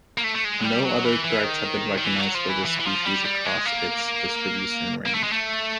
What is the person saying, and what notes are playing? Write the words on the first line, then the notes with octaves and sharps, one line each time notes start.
No other threats have been recognized for this species across its distribution range.
A#3
A3
A3
G#3
F#3
G3
F#3
E3
E3
D#3
D#3
E3
F#3
F3
E3
E3
E3
F3
G3
G3
G#3
A#3
A#3
A3
G#3
A3